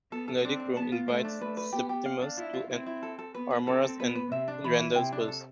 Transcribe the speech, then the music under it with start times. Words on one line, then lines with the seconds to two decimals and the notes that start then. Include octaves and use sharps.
Lady Croom invites Septimus to an amorous rendezvous.
0.11 B3 A4
0.28 A4
0.43 C4 D4
0.60 D4
0.76 B3 A5
0.92 F4
1.08 A3 C5
1.25 D4
1.41 A3 B4
1.57 B4
1.73 B3 G4
1.89 G4
2.06 F5
2.22 D4
2.37 E4 F4
2.53 F4
2.70 C4 E4
2.86 E4
3.03 A4
3.19 A4
3.34 B3 B4
3.51 B4
3.67 C4 A4
3.84 A4
3.99 B3 B4
4.15 B4
4.31 C3 E5
4.48 D4
4.64 E3 B5
4.80 E4
4.96 C3 G5
5.12 D4
5.28 A4